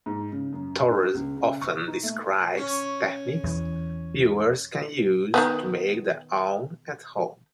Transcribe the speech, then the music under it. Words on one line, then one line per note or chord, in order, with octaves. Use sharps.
Torres often describes techniques viewers can use to make their own at home.
G#2
C#3
F#2
G2
C#2
C#3
C#6
D#4
A3
C#4
E2 E3
D#3 G3 B3